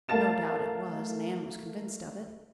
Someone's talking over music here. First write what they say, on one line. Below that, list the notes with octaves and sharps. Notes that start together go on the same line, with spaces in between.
No doubt it was, and Anne was convinced of it.
A3 A#4 F5 A5 A6 E7